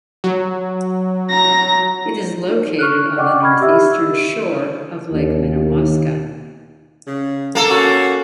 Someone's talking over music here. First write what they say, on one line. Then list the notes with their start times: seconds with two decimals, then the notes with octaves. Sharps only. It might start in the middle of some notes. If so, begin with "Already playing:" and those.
It is located on the northeastern shore of Lake Minnewaska.
0.24 F#3
1.30 A#5 A#6
2.49 D#4
2.79 C#6 F6 F#6
3.17 D5 D#5 F#5 G5 C#6 D6
3.42 B5 C#6 F6 G#6
3.61 G4 D#5 E5 E6
5.11 D#2
7.07 C#3
7.55 A#3 A4
7.70 C#4 F#4